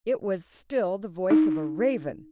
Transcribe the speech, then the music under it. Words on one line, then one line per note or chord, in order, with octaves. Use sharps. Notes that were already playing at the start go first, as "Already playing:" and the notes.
It was still the voice of a raven!
D#4